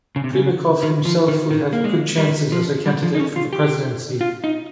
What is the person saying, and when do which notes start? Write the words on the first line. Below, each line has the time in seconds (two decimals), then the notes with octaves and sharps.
Primakov himself would have had good chances as a candidate for the presidency.
0.16 C#3
0.24 C3
0.33 C#3
0.83 D#3
1.05 F3
1.28 D#3
1.51 D#3
1.73 A#3
1.84 G#3
2.18 G3
2.52 F3
2.86 G3
3.03 F3
3.15 D#4
3.20 C#4
3.36 F4
3.53 G4
4.21 F4
4.44 D#4